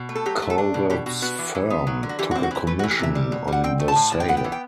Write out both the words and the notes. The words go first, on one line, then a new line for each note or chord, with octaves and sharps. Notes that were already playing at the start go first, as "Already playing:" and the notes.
Calvert's firm took a commission on the sale.
Already playing: B2
A3
A4
F#3 G4
A3
A4
D4
B2
B2 G4
B2 F#4
B3 F#4
E3
E3
B3
F#3
D3
F#4
E3 G4
F#4
C4
F#4
E3 G4
A3 B4
F#4
E3
G4
C3 E5
G3
B2
G3 F#5
C4 G5
A3
A5
A2
E3 A5
G5
B3 F#5
G5
E3
G5